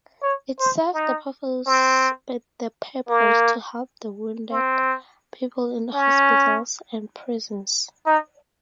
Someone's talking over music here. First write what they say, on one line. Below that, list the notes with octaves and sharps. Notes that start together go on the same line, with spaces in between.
It served the purpose to help the wounded people in hospitals and prisons.
C#5
C5
D#4
C4
A#3
C4
C#4
D#4